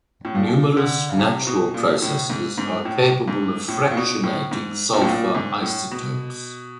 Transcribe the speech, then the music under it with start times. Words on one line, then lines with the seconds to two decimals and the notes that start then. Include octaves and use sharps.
Numerous natural processes are capable of fractionating sulfur isotopes.
0.25 A2
0.35 A#2
0.77 D3
1.09 C#3
1.19 C3
1.47 B2
1.74 A#2
2.02 A2
2.30 G#2
2.58 G#2
2.85 A2
3.28 G#2
3.68 A2
3.91 A#2
3.97 B2
4.24 A2
4.51 G#2
4.93 A#2
5.02 A2
5.08 A#2
5.35 G#2
5.62 A2
5.91 B2